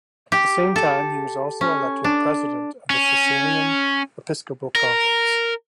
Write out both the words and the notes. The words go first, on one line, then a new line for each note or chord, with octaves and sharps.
At the same time, he was also elected President of the Sicilian Episcopal Conference.
G4
A4
C#4
D4
C#4
A#4